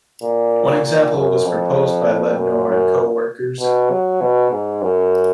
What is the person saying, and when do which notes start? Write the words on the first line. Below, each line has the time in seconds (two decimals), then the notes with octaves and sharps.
One example was proposed by Lednor and co-workers.
0.23 A#2
0.84 A#2
1.15 F#2
1.45 F2
2.38 F#2
2.69 F#2
3.60 B2
3.90 F#3
4.21 B2
4.51 G#2
4.82 F#2